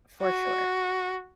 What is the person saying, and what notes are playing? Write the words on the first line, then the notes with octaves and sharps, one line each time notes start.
For sure.
F#4